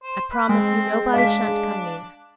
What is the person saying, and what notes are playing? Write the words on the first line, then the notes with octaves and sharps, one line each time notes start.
I promise you nobody shan't come near.
C5
B4
G#3 C4
D4 F5 B6